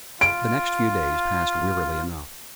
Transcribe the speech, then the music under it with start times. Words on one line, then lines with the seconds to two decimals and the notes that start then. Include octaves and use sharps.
The next few days passed wearily enough.
0.21 F4 D7